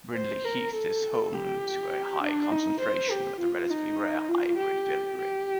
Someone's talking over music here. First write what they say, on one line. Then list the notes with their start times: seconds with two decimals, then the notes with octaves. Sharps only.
Brindley Heath is home to a high concentration of the relatively rare hybrid bilberry.
0.15 C5
0.45 A#4
0.75 A4
1.35 G4
2.23 D4
2.51 D#4
2.81 C5
3.11 G4
3.41 F4
3.70 D#4
4.29 F4
4.58 G4
5.18 G4